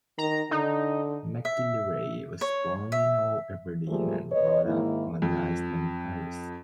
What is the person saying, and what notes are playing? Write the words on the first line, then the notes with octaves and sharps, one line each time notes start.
MacGillivray was born in Old Aberdeen and brought up on the island of Harris.
D#3 A#5
D3 D#4
E5
C#5
E5
F3 G3 A3 A#3 G#4
B4 C#5 D#5
G#2 D#3 A#3 E4
F2